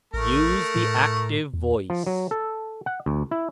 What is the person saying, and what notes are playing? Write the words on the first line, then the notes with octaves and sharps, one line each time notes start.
Use the active voice.
A1 A3 A#4
A2
E2
F3
F#3
A4
F#5
D2
E4